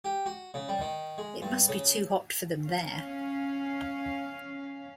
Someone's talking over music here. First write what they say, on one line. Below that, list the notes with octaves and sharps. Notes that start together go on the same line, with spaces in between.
It must be too hot for them there.
G4
F#4
C#3
G3
D#3
G#3
G2
C#3
C#4 F5